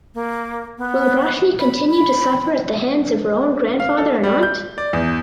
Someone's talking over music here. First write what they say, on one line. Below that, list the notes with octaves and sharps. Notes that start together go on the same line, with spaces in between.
Will Roshni continue to suffer at the hands of her own grandfather and aunt?
A#3
B3
B5
B5
F5
A4
G3
G6
D5
E2